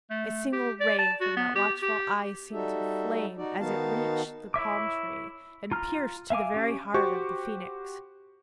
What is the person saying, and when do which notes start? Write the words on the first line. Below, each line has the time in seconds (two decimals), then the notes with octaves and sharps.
A single ray from that watchful Eye seemed to flame as it reached the palm tree and pierced to the very heart of the Phoenix.
0.10 A3
0.53 G4
0.80 D5
0.99 A5
1.21 F#4
1.37 B3
1.56 G4
1.82 G4
2.52 G3 D#4 F#4 A4 E5
3.37 D#4 F#4 D5
3.60 D#3 B3 D#4 F#4 F5 A5
4.54 E4 C#5 E5 D6
5.71 F4 A#5 F6
6.30 E5 F5 G#5 D6
6.54 C#4 G4
6.94 F#4 G4 C5 C#6